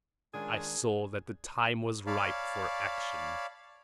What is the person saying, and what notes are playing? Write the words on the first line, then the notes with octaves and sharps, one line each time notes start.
I saw that the time was ripe for action.
D#3 G#3 C#4 D4 F4 G#4 G#5
C#5 D5 F5 A5 B5